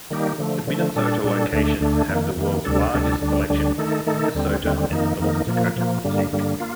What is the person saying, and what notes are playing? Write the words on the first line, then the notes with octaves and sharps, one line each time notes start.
The Minnesota locations have the world's largest selection of Minnesota and North Dakota music.
D#3 G3 A#3 D#4 G4
D3 F3 A3
D3 F3 A3
A#2 G3 D4 A4
A#2 G3 D4 A4
D2 D3 A3 D4
D2 D3 A3 D4
F2 D#3 A#3
F2 D#3 A#3
D2 C3 G3 D4 A4
D2 C3 G3 D4 A4
D2 D3 G3 D4
D2 D3 G3 D4
D#3 A3 D#4 A4
D#3 A3 D#4 A4
D#2 D3 G3 C4
D#2 D3 G3 C4
F2 D#3 A#3 D#4
F2 D#3 A#3 D#4
A#2 F3 A#3
A#2 F3 A#3
G2 D3 G3 A#3
G2 D3 G3 A#3
A#3 F4